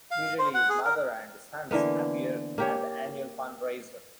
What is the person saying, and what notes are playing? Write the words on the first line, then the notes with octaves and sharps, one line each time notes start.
Usually, his mother and his sons appear at the annual fund-raiser.
F5
C5
F#5
G#4
A#4
D3 E3 A#3 B3
A#3 G4 C#5